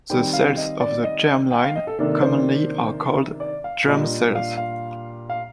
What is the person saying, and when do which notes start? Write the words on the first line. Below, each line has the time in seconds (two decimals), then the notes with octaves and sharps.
The cells of the germline commonly are called germ cells.
0.10 D#3 G3 C4 G5
0.33 F5
0.57 D#5
0.80 D5
1.04 D#5
1.51 G5
1.64 F5
1.76 D#5
1.87 A4
1.99 C3 D#3 A#3 D4 A4
2.22 C5
3.40 D5
3.64 F5
3.87 A#2 G3 D4 D#5
4.35 F5
4.58 F5
5.30 F5